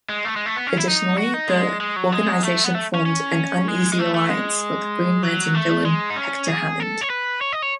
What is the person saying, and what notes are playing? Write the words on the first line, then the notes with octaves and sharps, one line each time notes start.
Additionally, the organization formed an uneasy alliance with Green Lantern villain Hector Hammond.
G#3
A3
G#3
A3
B3
C#4
E4
D#4
F#4
D#4
G#3
G#3
F#3
G#3
A3
B3
A3
C#4
C#4
G#3
G#3
A3
A3
G#3
F#3
A3
G#3
D#4
C#4
G#4
A4
C#5
B4
C#5
D#5
C#5